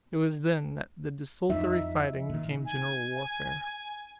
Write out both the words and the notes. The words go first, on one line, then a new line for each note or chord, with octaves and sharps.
It was then that desultory fighting became general warfare.
F2 F3 D#4 E5
A#2 D#3
G#5